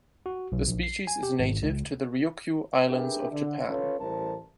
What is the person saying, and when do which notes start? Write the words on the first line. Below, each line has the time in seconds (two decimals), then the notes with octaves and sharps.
The species is native to the Ryukyu Islands of Japan.
0.26 F#4
0.52 B1
0.67 A#1
0.83 C7
1.07 G#5
1.23 G4
1.40 G#1
1.62 C#2
2.88 D4 G4 G#4 A#4 B4 E5
3.31 D3
3.68 C#4 F4 A4 B4 C#5
3.99 A1 G3 E4 A#4 C5 A5